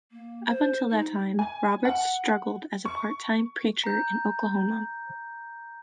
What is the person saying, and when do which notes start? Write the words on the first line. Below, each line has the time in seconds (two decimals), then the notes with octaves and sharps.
Up until that time, Roberts struggled as a part-time preacher in Oklahoma.
0.12 A#3
0.49 C5
0.91 D#4
1.39 G#5
1.85 F#5
2.85 C#6
3.84 A#5 G6